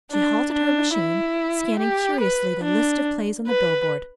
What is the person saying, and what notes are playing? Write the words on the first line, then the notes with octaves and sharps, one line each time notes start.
She halted her machine, scanning curiously the list of plays on the billboard.
D4
D4
E4
G4
B4
D4
B4